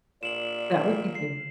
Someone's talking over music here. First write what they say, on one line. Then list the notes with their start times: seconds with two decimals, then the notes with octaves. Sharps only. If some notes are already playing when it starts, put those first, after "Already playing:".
That would be good.
0.23 A#2 D5 E7 F#7
1.15 C7